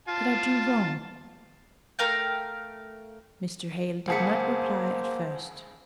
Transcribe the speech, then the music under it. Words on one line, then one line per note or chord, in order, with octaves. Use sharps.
Did I do wrong?' Mr. Hale did not reply at first.
F4 A5
A3 A#4 F5 G5
C#2 A#3 G#4 C5 F#5 A5 B6 C#7